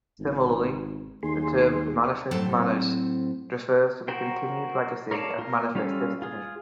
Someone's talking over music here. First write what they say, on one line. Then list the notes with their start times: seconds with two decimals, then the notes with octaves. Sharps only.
Similarly, the term, "manifest manners," refers to the continued legacy of Manifest Destiny.
0.19 G#1
1.23 D#2 G#4 C6
2.31 A2 F#3 C4 A4 C5
4.08 F#4 A#4 C5 G5
5.11 A#4 C#5 D5 F5 A5
5.39 F4 A#4
5.75 G3 C#4 F4 A4 F5
6.22 F4 G#4